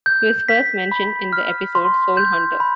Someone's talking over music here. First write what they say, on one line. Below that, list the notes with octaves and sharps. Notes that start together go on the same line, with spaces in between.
He was first mentioned in the episode "Soul Hunter".
G6
B6
B5
F6
C6
G6
B5